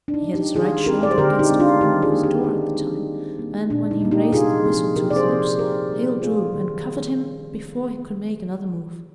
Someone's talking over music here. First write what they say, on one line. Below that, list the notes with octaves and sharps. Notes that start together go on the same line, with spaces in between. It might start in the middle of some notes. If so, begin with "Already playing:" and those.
He had his right shoulder against the corner of his door at the time, and, when he raised the whistle to his lips, Hale drew and covered him before he could make another move.
D4
D#4
G3 C4
D#4 G4
D#3 F4 G#4
G#3 C4 G4 A#4
D5
C5
D3 G4 A#4
D#4 G4
G#3 C4
D4 F4
D#3 D#4 G4
F4 G#4
A#3
D#4 G4
D#3 D#4
G3 C4
D3
G3 A#3
A#2 D4
D#4
G3 A#3
D#4 G4
C3 F4 G#4
F3 C4
C3 G4 A#4
D5
G#4 C5
F3 C4
C3 G4 A#4
G3 A#3
C3 F4 G#4
D#3 G3